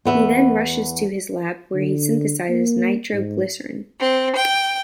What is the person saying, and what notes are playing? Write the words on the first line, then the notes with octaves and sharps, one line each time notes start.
He then rushes to his lab, where he synthesizes nitroglycerin.
E2 B3 E5
D3
A#3
G#2
C4
G5